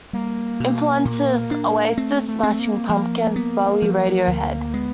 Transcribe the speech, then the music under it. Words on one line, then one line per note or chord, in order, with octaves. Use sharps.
Influences: Oasis, Smashing Pumpkins, Bowie, Radiohead.
G3 A#3
B2
A#2
D4
A3 C4
A3
C4
A#3
F3 A#3
B3
F3
D2
G#3 B3